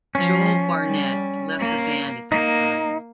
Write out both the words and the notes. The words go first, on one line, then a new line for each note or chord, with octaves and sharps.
Joel Barnett left the band at that time.
F3 C#4
G3
A#3
A#3 D#4